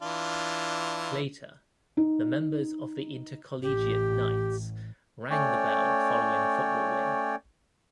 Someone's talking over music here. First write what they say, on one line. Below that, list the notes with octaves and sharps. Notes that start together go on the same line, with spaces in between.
Later, the members of the Intercollegiate Knights rang the bell following a football win.
E3 D4 F4
D#4
A1 G4
A3 C#4 C#5 D5 G5